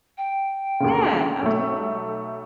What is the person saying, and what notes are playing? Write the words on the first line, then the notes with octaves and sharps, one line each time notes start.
Yeah, absolutely.
G5
D2 A#2 C#3
B1 A3